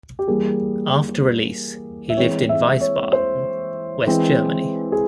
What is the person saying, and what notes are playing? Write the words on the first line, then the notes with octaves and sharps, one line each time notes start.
After release he lived in Wiesbaden, West Germany.
G4
E3 G3 A#3 G#4
E5
E3 G#3 C4 C#5
E5
C#5
C5
E3 G#3 C4
G#4